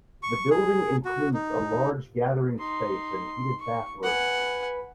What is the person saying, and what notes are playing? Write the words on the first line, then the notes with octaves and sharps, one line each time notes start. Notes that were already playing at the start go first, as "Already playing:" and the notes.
The building includes a large gathering space and heated bathrooms.
C#6
G#4
F#4
D#4
D#4 C6
C#6
B4 F#5 G#5